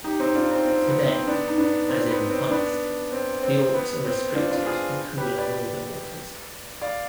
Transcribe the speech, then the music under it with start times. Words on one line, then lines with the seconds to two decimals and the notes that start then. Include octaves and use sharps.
Today, as in the past, the auks are restricted to cooler northern waters.
0.04 D#4 G4
0.20 C4 D#4
0.35 D4 F4
0.51 C4 D#4
0.66 C4
0.87 B3
1.07 C4
1.27 B3 D4
1.47 D#4
1.58 B3 D4
1.89 C4
2.10 B3
2.30 C4
2.51 B3 D4
3.12 C4
3.43 C4
3.74 B3
4.05 C4
4.35 D4 F4
4.51 D4 F4
4.66 F4 G#4
5.18 G4 B4
5.38 B4 D5
6.82 D5 F5